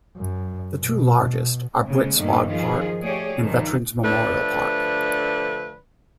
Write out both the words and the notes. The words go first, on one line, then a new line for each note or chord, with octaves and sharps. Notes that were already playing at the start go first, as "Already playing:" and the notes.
The two largest are Brit Spaugh Park and Veteran's Memorial Park.
F#2
B2
A#2 C#3 G#3
G2 B2 D#3 A3 A#3
D#3 F3 F4 G#4
A3 G4 G#4 C#5 D5
G2 D#3 F3
D3 F3 A3 D4 B4